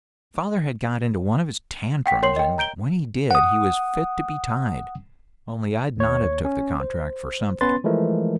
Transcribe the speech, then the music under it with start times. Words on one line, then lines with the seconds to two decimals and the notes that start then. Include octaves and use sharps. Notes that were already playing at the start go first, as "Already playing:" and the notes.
Father had got into one of his tantrums, and when he did he was fit to be tied; only I'd not have took the contract for something.
2.06 F#5 G5 B6
2.22 A#4 C#5 C6 C7 F#7
2.36 D#5 G5
2.58 A#5 G6 D7 G7
3.31 F#5 D#6
5.97 D#2 C#5
6.45 C#4
6.80 C5
7.61 B3 C#4 B4 C6 A6
7.84 E3 F3 G#3 A3 A#4